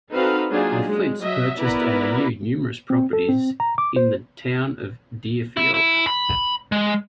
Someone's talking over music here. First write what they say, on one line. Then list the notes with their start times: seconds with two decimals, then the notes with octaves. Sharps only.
The Flynts purchased and renewed numerous properties in the town of Deerfield.
0.14 C4 D#4 F#4 A4 B4 F5
0.51 F#3 A#3 D4 D#4 F4 G#4
0.88 G#3
1.22 F#3 D#5 E5
1.60 B3 E4 A#4 B4 D5 A#5
2.90 C4
3.13 A4
3.29 C4
3.60 A#5
3.78 D6
3.96 C5
5.57 E4
5.74 E4
6.07 B5
6.72 G#3